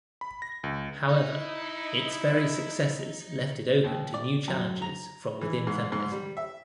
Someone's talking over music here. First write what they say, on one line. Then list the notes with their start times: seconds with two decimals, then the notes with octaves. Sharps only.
However its very successes left it open to new challenges from within feminism.
0.21 B5
0.42 A#6
0.64 C#2
1.09 D#4 E4 D#5
3.84 D#2
4.14 D5
4.48 F#2
4.82 A#5
5.41 E3
5.67 G#2
5.92 G#2
6.12 G3
6.37 E5